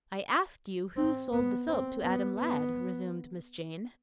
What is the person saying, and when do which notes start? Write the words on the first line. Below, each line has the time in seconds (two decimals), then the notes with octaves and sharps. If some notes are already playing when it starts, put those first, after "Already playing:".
"I asked you who sold the soap to Adam Ladd?" resumed Miss Jane.
0.96 C4
1.32 B3
1.68 C4
2.03 B3
2.38 B3